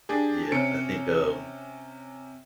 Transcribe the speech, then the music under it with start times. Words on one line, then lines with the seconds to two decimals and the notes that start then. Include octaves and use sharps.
Yeah, I think, um,
0.09 D4 G4 G#4
0.52 C3 C#4 C#7 D7